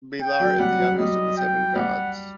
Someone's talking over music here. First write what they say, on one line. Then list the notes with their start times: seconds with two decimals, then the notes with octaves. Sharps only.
Belar is the youngest of the seven gods.
0.21 G5
0.40 F#3
0.59 G3 F#5
0.79 F#3
0.99 G3 D#5
1.37 G5
1.75 G3 F#5